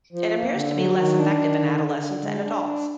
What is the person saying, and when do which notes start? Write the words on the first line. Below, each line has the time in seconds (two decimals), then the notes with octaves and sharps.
It appears to be less effective in adolescents and adults.
0.13 F3
0.34 A#3
0.55 D3
0.75 F#3
0.97 D#3
1.18 D4
1.39 D#3
1.59 D3
1.81 D3
2.01 D3
2.22 G#3
2.44 D4
2.64 D4